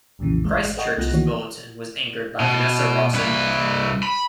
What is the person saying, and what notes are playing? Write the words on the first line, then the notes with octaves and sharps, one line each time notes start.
Christchurch's bulletin was anchored by Vanessa Rawson.
B1 F2 A#2 C#3 E3
G#1 G#3
A4 B4 D#5 F#5 G5 C#6
C2 A3 B3 F4 F#6 A#6
D#3 E3 A#3 B3 F#4 C#5
B2
C2 B4
B5